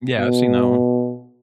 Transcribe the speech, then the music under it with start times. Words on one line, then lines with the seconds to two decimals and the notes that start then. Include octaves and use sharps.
Yeah, I've seen that one.
0.18 B2